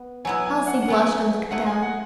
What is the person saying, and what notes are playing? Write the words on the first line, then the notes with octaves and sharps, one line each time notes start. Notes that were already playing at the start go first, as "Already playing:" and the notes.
Elsie blushed and looked down.
Already playing: B3
F#3 B3 E4 G#5
G#5
F#5
F#5
F#3 B3 E4 G#5
F#3 A3 D#4 G#4 F#5
G#5
F#5